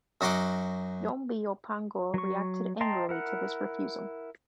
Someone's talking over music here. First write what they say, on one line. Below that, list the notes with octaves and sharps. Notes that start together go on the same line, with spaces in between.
Yhombi-Opango reacted angrily to this refusal.
F#2 D#4 F#4 F#5 C6 D6
F#3 C#6
D#5 G5 A5 A#5 C6
E4 A#4 F#5